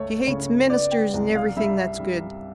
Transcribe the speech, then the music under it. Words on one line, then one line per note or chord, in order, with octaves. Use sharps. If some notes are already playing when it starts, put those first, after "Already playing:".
She hates ministers and everything that's good.
Already playing: C#2 A3 C#5
C#3 C#5
B3 D5
G5
C2
F5
G3 E5
G3